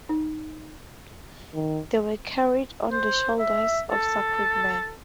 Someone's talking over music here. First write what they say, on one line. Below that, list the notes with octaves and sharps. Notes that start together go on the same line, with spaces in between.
They were carried on the shoulders of sacred men.
D#4
D#3
C5
E5
A4